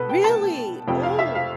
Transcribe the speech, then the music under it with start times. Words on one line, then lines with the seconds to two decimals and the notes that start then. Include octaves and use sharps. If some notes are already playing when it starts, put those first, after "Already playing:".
Really? Oh.
Already playing: C2 B2 A4 B4
0.10 G5
0.24 A5
0.87 F2 C3 F3 G5
1.03 F5
1.19 E5
1.35 F5